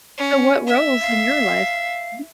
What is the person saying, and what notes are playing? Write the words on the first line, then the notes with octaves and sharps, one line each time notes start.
so what roles in your life? Mhm.
C#4
E5
F5